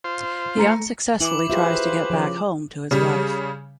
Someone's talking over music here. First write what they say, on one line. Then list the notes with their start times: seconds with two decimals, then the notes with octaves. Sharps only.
He unsuccessfully tries to get back home to his wife.
0.04 F4 C5
0.57 A3 A#5 C#7
1.21 E3 E4 D6 F#7
1.50 F4 G4 G#4 B4 C5 E5
2.10 C#3 F3
2.91 C#3 G3